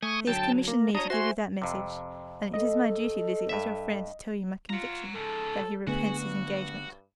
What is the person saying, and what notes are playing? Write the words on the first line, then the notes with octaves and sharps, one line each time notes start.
"He has commissioned me to give you that message;--and it is my duty, Lizzie, as your friend, to tell you my conviction that he repents his engagement."
A3 G#5 C#6 D#6
D3 F#3 G5 A5
A#3
D4 F#4 C#5 A#5 D#6
F#4 C5 E5 G#5 C6
F2 C3
A4 D#5
G2 E5
F4 F#5 A#5
G#2 C#3 A4
D3 A3 B3 F#4 G#4
G2